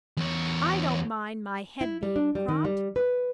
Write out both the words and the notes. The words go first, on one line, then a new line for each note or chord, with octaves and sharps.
I don't mind my head being cropped.
E2 C#5
E4
G3
D4
G3
D#3
G3
B4